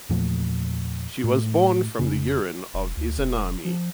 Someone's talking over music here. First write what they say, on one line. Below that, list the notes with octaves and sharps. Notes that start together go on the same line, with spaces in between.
She was born from the urine of Izanami.
E2 A#2 F3 A3
A2
F1 C#3
E1
D2
E1
F3